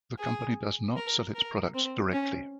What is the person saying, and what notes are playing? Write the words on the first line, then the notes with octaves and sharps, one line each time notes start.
The company does not sell its products directly.
G#4
A#4
A#4
C4
C#4